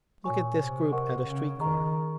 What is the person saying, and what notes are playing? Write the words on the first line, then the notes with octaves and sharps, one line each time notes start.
Look at this group at a street corner.
A#2 F#4 C#5 G#5 C#6
C3
A#4 D#5 F#5 C#6
C#3
D#3 G#4 D#5 A#5 C#6